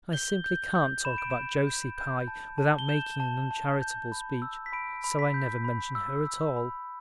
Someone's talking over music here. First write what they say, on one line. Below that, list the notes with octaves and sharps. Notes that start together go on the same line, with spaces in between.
I simply can't talk about Josie Pye without making an uncharitable speech, so I never mention her at all.
G6 G7
G6
G6
B5 E7
D7
G6 E7
G6
G6
A5
A5
G7
G6 E7
A5
A5
G6
B5
E6
B6
B5 D7
B5
B6
G6
B5
E6
E6
B5